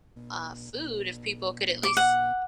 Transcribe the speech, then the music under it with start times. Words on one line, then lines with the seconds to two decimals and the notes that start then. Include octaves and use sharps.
uh, food if people could at least
1.83 D6
1.97 F#5